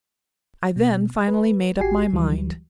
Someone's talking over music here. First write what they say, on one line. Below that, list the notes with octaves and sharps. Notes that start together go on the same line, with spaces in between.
I then finally made up my mind.
B2
B4
G#1 F#4 G4 G#5 C7
D2 E3 F#3 G3